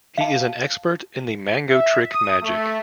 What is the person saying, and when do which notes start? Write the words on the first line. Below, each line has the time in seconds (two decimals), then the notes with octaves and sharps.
He is an expert in the "Mango Trick" magic.
0.18 F5 A5
1.69 E5
2.11 D#6
2.42 A3